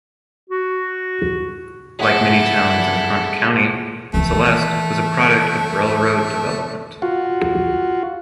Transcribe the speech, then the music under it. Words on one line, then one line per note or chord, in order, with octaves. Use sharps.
Like many towns in Hunt County, Celeste was a product of railroad development.
F#4
G#3 E4 A4 F#5 D6
D#3 E3 A3
F4 F#4